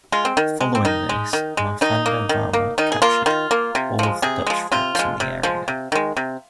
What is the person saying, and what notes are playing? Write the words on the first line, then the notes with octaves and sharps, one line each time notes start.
Following this, Marthanda Varma captured all of the Dutch forts in the area.
G#3 F4
C4
D#3
G#3
C4
D#3 D#4
G#3
D#3
G#3
D#3 D#4
A#3
D#3
A#3
D#3 D#4
G#4
A#3 F4
D#3 F4
A#3
C3
F3 G#3
C3 G#4
F3 G#3
C3 F4
F3 G#3
C3
F3 G#3
C3
D#3 G#3
C3